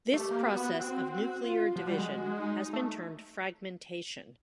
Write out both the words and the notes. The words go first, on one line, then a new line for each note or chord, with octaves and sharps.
This process of nuclear division has been termed fragmentation.
A3 G4
A#3
B3 F#4
C4 F#4
F#4
F4
F3 F#4
G3
G#3
F#4
D#4
A3